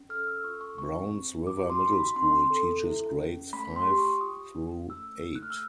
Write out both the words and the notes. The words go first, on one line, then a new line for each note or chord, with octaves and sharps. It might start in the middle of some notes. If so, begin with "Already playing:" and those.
Browns River Middle School teaches grades five through eight.
Already playing: C#4
A4 F6
E6
F4 C#6
C#6
C4 C#6
C4
F#4 D6
C6
D#4
B5
C4 C6
A4
E4
C#4
A3 B5
C6
G4
C#6
F4 D#6
C#4
A3 E6
A3
F#6
F6
E6